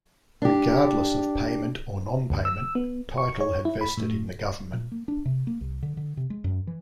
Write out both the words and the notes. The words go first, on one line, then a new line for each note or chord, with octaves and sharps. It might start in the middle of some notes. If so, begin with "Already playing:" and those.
Regardless of payment or nonpayment, title had vested in the government.
D4 G4
D2
E6
B3
C#6
C#5
E4
B5
A2
A#2
A#3
D4
C3
A#3
C2
D3
D3
C3
G#3
F#2
E3